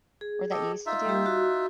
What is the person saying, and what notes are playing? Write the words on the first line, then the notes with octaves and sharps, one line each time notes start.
Or that you used to do?
G#4
G4 A4 D#5
D#4 F4 E5
G3 G4
F#4